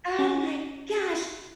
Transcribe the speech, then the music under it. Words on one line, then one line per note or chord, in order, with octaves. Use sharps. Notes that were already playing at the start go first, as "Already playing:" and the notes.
Oh my gosh.
C#4